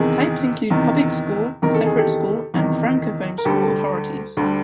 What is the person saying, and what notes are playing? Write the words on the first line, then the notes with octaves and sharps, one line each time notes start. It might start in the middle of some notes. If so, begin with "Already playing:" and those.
Types include public school, separate school and francophone school authorities.
Already playing: E2 C3 D#3 G#4 A#4
E2 C3 D#3
E2 C3 D#3 A#4
A4
G#4
G4 A4
E2 C3 D#3
A#4
D2 D3 G3 G4 A4
D2 D3 G3